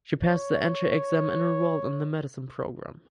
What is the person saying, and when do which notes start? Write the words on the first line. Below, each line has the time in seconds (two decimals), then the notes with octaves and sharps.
She passed the entry exam and enrolled in the medicine program.
0.23 C#5